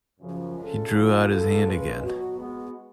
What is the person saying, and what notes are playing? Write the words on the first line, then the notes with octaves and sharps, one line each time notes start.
He drew out his hand again.
F#2 C#3 F3
G#3 C#4 F4 A4
F3 B3 F4
C#3 G#3 B3 F4 A4
G#3 C#4 F4 G#4 B4
B2 F#3 B3 F#4
G#3 B3 F#4